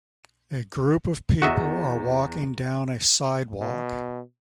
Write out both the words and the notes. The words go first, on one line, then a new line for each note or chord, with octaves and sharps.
A group of people are walking down a sidewalk.
E2 F#4 D#5 E5
B2